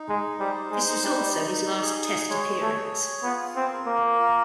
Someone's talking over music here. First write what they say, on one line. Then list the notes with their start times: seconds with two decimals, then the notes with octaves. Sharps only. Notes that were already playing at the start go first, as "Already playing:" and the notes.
This was also his last test appearance.
Already playing: D#4
0.09 G#3
0.39 G3 C5
0.71 G#3
0.87 D#4
1.03 G3
1.34 D#4
1.82 G#4
2.29 G#3 C#5
2.61 A3
2.76 G#4
3.23 B3 F4
3.56 C4
3.71 A#4
3.86 A#3
4.19 F4